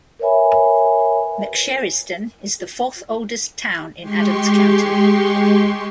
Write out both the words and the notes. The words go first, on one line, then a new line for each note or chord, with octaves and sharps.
McSherrystown is the fourth oldest town in Adams County.
A#4 B4 C#5 E5 G#5 B5
G#3 G4 C6 C#6